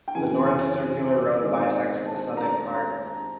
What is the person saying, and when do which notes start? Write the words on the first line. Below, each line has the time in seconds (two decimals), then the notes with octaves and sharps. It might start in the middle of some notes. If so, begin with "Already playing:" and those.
The North Circular Road bisects the southern part.
0.08 G5
0.15 F#2 C#3 E3 G#5
0.46 G#5
1.42 G#2 D#3 G#3 C4
2.05 A5
2.37 A#5